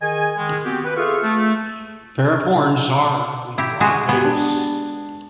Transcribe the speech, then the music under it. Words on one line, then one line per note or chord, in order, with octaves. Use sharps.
Pair of horns are with broad base.
D#3 G#4 D#5 G#5
D#3 G#3
B3 C4 F#4 G4
B4
F4 G#4 A4 E5 F5 C#6
A3
E4 G4
G#3 F#4 G#4
B3 F#4 G4 G#6
D4